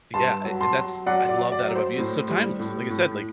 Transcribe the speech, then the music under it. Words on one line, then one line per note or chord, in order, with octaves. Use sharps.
Y yeah, I that's I love that about mus it's so timeless. Like I said, like,
G2 A5 C6
F#3
A5 C6
F#3
F#3 D5 F#5
D5
F#3
D5
F#3
C5
A2
G3
A2
A2